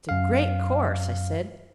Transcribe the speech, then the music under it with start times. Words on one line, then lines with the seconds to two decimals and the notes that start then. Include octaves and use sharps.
"It's a great course," I said.
0.09 F#2 F5